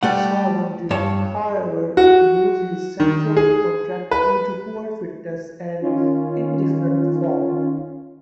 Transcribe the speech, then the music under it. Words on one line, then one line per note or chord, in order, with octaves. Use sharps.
Sarwan did however lose his central contract due to poor fitness and indifferent form.
G3 A3 F#5
G2 C#5 A5
F#4
D#3
G#4
B4
D#3 C#4 F4